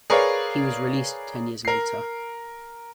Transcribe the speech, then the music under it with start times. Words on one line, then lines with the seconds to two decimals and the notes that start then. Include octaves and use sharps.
He was released ten years later.
0.10 G#4 A#4 B4 C#5 D5 F5
1.65 A#4 C7